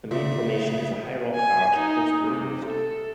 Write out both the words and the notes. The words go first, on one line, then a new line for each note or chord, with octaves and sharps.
The main formation is a high rock arch close to the coast.
A#2 C#3 E5
G#5
D#4
C3
A4